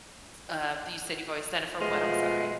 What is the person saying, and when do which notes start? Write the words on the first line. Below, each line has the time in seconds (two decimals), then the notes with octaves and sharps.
Uh, do you said you've always done it for what? I'm sorry.
1.80 B2 F3 G#3 A3 F4